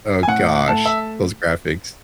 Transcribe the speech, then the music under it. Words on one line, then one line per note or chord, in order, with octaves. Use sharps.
Oh gosh, those graphics.
G#5
A2 F#5
A3 A5
E5